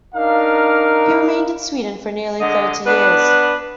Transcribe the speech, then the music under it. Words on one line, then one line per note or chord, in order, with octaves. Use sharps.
He remained in Sweden for nearly thirty years.
D4 D#4 A#4 F5
D3 G#3 D#5
B3 D4 B4